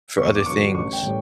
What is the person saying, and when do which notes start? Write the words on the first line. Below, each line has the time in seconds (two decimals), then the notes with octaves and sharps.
for other things,
0.18 E2 C#6
0.35 D6
0.46 D3 F#3 C#6
0.74 A1 C#6
0.93 G5
1.02 A2 E3 G3